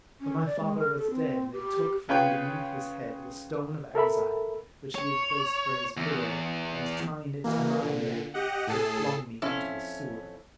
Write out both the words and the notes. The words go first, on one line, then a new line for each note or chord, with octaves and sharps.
When my father was dead, they took from beneath his head the stone of exile which he had placed for his pillow, and, tying it to my neck, they flung me into a sewer.
C#4
D5
G#3
A#4
A4
C4
G4
C#3 F4 B4 C#5 G5
A4 A#4 E5 B5
C#5
E2
B2 E3 A#3
A#2 D3
G4 D#5 F#5
A2 G#4 A4 A5 C7
F2 C#4 E4